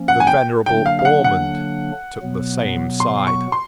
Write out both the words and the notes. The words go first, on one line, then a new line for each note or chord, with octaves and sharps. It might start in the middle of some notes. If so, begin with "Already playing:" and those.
The venerable Ormond took the same side.
Already playing: F3 A#3 C#4
F#5
G#5
G5
D3 F#3 A#3 D4 G5
F5
F5
F#5
F#5
B2 F#3 B3
C6
C#6
C6